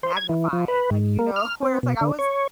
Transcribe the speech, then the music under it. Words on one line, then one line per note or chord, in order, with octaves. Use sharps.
magnified, like, you know, where it's like I was
C5
G#6
E3
F3
B4
G#2
A#3
F6
C4
B2
D3
C#5